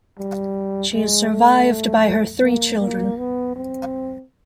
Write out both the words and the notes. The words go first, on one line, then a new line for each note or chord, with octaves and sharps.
She is survived by her three children.
G3
G#3
A3
A#3
A#3
B3
C4